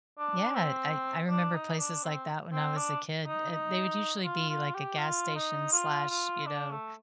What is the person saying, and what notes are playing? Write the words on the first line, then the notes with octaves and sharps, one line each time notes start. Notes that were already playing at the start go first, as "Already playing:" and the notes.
Yeah, I I remember places like that when I was a kid, uh, they would usually be like a gas station slash, you know,
D4
C4
D4
D#4
D4
C4
C4
D4
D#4
D#4
F4
F4
G4
F4
D#4
F4
F4
D4
A3